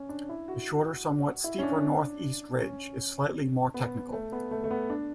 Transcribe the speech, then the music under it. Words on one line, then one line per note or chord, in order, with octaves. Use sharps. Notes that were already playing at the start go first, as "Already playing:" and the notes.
The shorter, somewhat steeper north east ridge is slightly more technical.
Already playing: C#4
D4
E4
F#4
E4
C#4
D4
C#4
B3
A3
B3
A3
A3
B3
D4